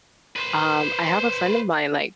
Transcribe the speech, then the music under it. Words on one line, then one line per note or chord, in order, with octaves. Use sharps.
Um, I have a friend of mine, like,
B4 C5